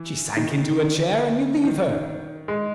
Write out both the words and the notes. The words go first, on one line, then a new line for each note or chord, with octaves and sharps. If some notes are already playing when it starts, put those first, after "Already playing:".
She sank into a chair and you leave her.
Already playing: E3
D#3
D3
D#3
G#3